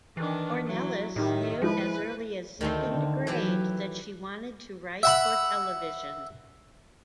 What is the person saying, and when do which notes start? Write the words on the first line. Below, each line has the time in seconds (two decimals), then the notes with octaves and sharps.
Ornelas knew as early as second grade that she wanted to write for television.
0.17 D#3 E3 D4
0.65 F#3 E4
1.16 A2 D#3 D#4 G4 E5
1.62 F3 G#3 E4 B4
2.61 D2 D#3 A3 C4
2.93 D3
3.27 E3 F#3 G4 B4
5.03 E5 F#5 B5